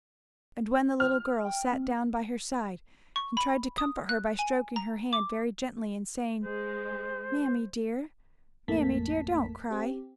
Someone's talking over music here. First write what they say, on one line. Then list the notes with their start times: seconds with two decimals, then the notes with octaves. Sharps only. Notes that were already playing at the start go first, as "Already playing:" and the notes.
And when the little girl sat down by her side, and tried to comfort her by stroking her hand very gently, and saying, 'Mammie dear, mammie dear, don't cry!
1.00 F6
1.45 G5
1.72 C4
3.16 C#6
3.37 B5
3.78 D#6
4.09 F#6
4.39 G#5
4.76 A#5
5.13 D6
6.45 G#3 C5
8.68 A1 F2 A3 A#3 A5 B6
9.70 C4 G4